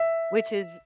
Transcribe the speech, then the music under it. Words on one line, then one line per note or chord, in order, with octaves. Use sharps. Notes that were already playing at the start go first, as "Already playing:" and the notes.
Which is
Already playing: E5